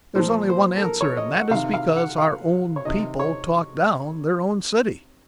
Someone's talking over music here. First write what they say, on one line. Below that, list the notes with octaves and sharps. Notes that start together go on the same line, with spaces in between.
There is only one answer, and that is because our own people talk down their own city.
A#2 F3 C5
C5
A4
A#4
C#5
D#5
F#5
C3 D#3 F5
F5
F#5
F5
C#5
C3 D#3 D#5
C#5